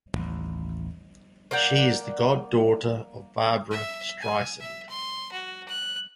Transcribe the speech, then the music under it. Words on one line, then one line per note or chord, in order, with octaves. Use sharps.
She is the god-daughter of Barbra Streisand.
A1 D#2
A#3 D5 F#5 G5
E5
G#5
E5
C6
F#4
F#6